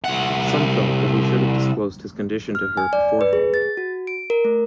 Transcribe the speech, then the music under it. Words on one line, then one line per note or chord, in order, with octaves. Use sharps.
Some felt that he should have disclosed his condition to her beforehand.
C2 F#5
F6
G#5
D5
B4
G#4
A6
F#4
D7
A#4
A3